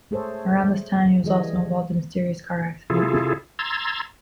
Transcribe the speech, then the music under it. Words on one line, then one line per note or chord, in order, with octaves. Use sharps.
Around this time he was also involved in a serious car accident.
A3 G#4 A4 C5 C#5
E3 G3 G#4 A4 D#5
C3 E4 F4 G#4 A4
A#5 C6 E6 G#6 A6